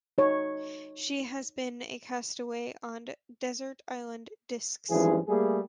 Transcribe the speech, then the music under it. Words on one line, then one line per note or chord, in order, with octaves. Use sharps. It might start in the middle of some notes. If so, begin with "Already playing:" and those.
She has been a castaway on "Desert Island Discs".
D#4 C#5
G#1 E3 F3 G3 C#4 G#4
G3 A3 A#3 G#4